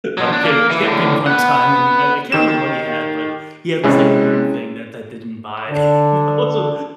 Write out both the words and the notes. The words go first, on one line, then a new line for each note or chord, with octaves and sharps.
uh, came, came in one time and i I can't remember what he had, but he had this like weird thing that that they didn't buy, you know, so
F3 F#3
D4
A#3
E3
A2 D3
B4 F#5
D#3 G4 E7
C3 G#3 C#4 E4 G#4
D3 D4